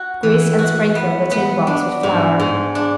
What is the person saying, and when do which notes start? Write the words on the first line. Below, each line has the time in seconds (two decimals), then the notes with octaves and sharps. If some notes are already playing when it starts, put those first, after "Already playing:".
Grease and sprinkle the tin box with flour.
Already playing: F#4
0.23 E3
0.59 F#4
0.95 B3
1.31 B3
1.67 D4
2.03 G#2
2.40 G#2
2.75 D4